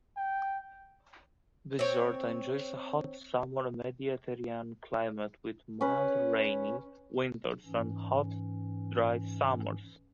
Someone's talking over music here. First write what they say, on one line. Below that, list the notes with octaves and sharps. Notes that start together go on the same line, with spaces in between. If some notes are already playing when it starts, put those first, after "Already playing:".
Bizerte enjoys a hot-summer Mediterranean climate, with mild rainy winters and hot dry summers.
G5
C4 C#5
C#4 B4
G#2 E3 C#4